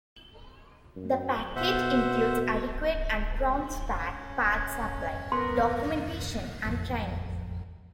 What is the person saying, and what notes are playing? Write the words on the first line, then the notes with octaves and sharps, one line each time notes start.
The package includes adequate and prompt spare parts supply, documentation and training.
F#2
B2 C5 E5 F#5
C#4
B3 A#4 C6
E1 A1 F2